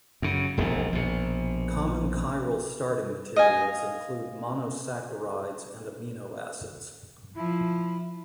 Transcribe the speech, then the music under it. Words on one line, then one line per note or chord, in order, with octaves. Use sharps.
Common chiral starting materials include monosaccharides and amino acids.
F#2 C#3
E1 A#1 D#2 A2
A#1 B2
D#5 F5 G#5
F3 E4